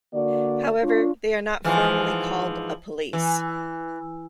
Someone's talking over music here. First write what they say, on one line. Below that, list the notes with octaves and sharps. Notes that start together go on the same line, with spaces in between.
However, they are not formally called a "police".
D3 A#3 F#4 D5
D4 F4 C#5
G#2 E3 F3
E3